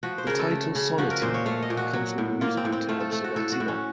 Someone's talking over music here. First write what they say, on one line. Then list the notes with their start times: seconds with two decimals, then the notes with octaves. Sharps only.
The title "Sonatine" comes from the musical term sonatina.
0.03 F3 F#4
0.18 C5
0.27 C#3 A#4
0.39 A4
0.51 A3
0.75 C#3
0.98 F3 F#4
1.11 A#4
1.22 A#2 C5
1.34 C#5
1.46 A3 F5
1.62 D#5
1.70 A#2
1.77 F#4
1.93 F#3
2.18 A2
2.41 A#3 F4
2.57 C4
2.65 A2
2.72 C4
2.89 A3 F4
3.00 A4
3.12 A3 A4
3.24 F#4
3.36 A2 A4
3.52 F#4
3.60 A2
3.68 C#4